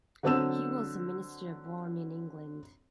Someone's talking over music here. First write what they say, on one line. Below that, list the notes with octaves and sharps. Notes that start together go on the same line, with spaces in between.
He was a minister born in England.
D3 F#3 C4 A5 E6 E7